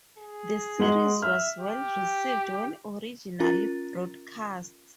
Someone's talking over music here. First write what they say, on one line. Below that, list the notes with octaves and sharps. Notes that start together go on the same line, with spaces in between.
The series was well-received when originally broadcast.
G#4
G#3 F#4 F#7
E5 F6
G4
C#4 F4 A#4 A#5 A6